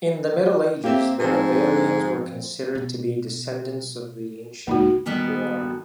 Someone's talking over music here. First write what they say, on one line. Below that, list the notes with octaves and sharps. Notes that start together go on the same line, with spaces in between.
In the Middle Ages, the Bavarians were considered to be descendants of the ancient Boier.
A#3 C4 G4 E5
G#2 F3 C4 G#5
B2
C#2 A2 A#3 D#4 F#4
A#2 D#3 G3 B3 F#4 A4